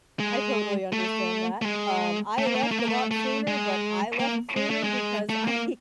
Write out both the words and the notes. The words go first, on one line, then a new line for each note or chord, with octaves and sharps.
I totally understand that. Um, I left a lot sooner, but I left sooner because I
G#3
A3
A3
G#3
A3
A#3
A3
A#3
A3
A#3
A3
A3
G#3
A#3
G#3
A3
G#3
A3
A#3